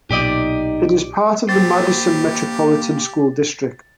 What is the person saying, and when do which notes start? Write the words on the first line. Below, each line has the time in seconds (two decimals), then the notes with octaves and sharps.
It is part of the Madison Metropolitan School District.
0.11 B1 A#2 D#4 G4 D5 D#5
1.49 A#3 G4 C5 A6